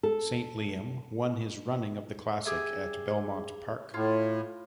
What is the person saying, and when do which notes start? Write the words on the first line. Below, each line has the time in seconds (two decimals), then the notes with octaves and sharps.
Saint Liam won his running of the Classic at Belmont Park.
0.03 A4
2.45 G4 G#4 E5
3.94 A2 F4 C#5